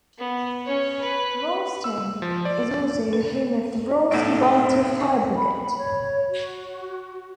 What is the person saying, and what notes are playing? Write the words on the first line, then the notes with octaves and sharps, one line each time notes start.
Rolleston is also the home of the Rolleston Volunteer Fire Brigade.
B3
C#4 C#5
B4
E6
F3
D5
B4
B1 A2 D#4 F#5
B5
C#5
F#4